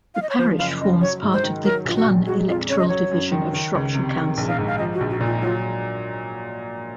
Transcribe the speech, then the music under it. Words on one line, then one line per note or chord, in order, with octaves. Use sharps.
The parish forms part of the Clun electoral division of Shropshire Council.
F5
D#5
C#5
F3 C5
F#1 F5
F#2 D#5
F#3 C#5
G#2
C5
D#3
F#3 A#4
A#1 F4
F#4
A#2
G#3 F#4
F2 F4
C#3 C#5
D#5
F#3 C#5
F#2
D#3
D#3
C#2
C3
D#3
A#1
F5
G#2
F5
F3 D#5
F#4
A#1
F#4
A#2
F4
F#3 F4